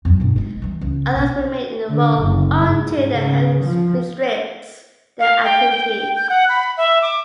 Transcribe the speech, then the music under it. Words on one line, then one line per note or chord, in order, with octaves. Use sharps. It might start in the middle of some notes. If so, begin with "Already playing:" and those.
Others remain in the role until their health restricts their activities.
F2 F#3
G2 B2
G#3 E4
E3 G3
C#2
B1
D3
F#1
G#2
C#3
F3
F5
G5
G5
G6
F#5
B5
E5
D6